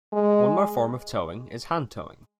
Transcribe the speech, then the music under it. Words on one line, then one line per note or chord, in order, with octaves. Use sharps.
One more form of towing is hand towing.
G#3